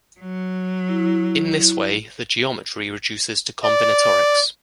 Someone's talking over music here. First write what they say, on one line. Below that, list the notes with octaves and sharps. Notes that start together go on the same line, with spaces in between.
In this way the geometry reduces to combinatorics.
F#3
E4
D5